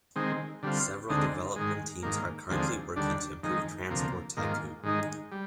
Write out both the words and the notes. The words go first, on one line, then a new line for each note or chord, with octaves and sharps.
Several development teams are currently working to improve "Transport Tycoon".
D#3 G#3 C4
D3 G3 C4 F4
D2 D3 G#3 C4 D#4
G#2 D#3 G#3
G#2 D#3 A#3
D#2 D3 F3 G#3 C4
D#2 D3 G3 D4
F2 D#3 G#3 D#4
D2 C3 F3 A#3
G#2 D#3 A#3 F4
G#2 D#3 G#3 D#4
G3